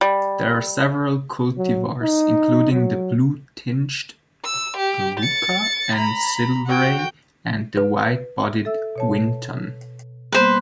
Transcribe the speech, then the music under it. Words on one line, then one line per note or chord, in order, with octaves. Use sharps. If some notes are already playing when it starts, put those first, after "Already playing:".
There are several cultivars, including the blue-tinged 'Glauca' and 'Silveray' and the wide-bodied 'Winton'.
G3
F#3
D#4
F#3
E6
G4
A6 C#7
A#5 B5
F#4 G5
B4
A4 E5 E6
B2 C#5 A5
G3 A#3 B3 B4 C5